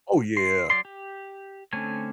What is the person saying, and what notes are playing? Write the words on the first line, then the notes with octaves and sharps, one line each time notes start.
Oh, yeah.
C6
F#3 D5 C6
G4
D3 A3 C4 C#4 G#5